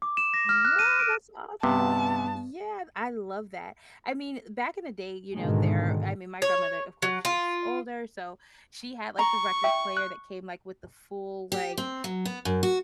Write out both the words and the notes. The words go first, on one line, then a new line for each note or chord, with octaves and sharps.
Yeah, that's awesome! Yeah, I love that. I mean, back in the day, you know, there I mean, my grandmother, of course, she was older, so she had, like, the record player that came, like, with the full, like,
D6
E7
A#6
F6
F#6
D#7
D7
G2 C3 B3 A5
G#2 B2 D3 D#3 G#3
C#5
F#3
F4
A#5 C#6
E5 G5
F#6
G4
C4
F#3
B3
F#2
F#4